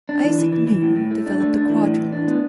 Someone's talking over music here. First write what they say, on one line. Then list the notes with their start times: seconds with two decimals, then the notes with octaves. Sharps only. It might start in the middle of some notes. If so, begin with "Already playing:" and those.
Isaac Newton developed the quadrant.
0.09 D4
0.24 E3
0.39 E3
0.53 E3
0.67 E3
0.82 A2
0.96 A2
1.11 A3
1.26 D4
1.40 A3
1.55 D4
1.69 E3
1.84 A2
1.99 E3
2.12 D4
2.28 B3